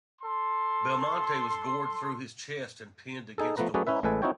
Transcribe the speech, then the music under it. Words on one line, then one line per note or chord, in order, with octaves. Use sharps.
Belmonte was gored through his chest and pinned against a wall.
A4 C6
D#4 G#4 A4
F3 A3 B3 B4 A#5
F#3 A3 C#4 G#4 B4 D5
C#4 E4 B4 E5
A1 A2 G#3 A4 B4 G#5
C4 D#4 E4 F#4 C#5 G5